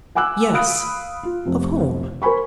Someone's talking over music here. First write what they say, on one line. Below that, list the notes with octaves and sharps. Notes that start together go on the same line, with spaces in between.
"Yes, of whom?"
F#5 G#5 D6 E6 F#6
F5 B5 D#6 F#6 D7
F4
F1 C3
A#4 C5 G#5 B5 C#6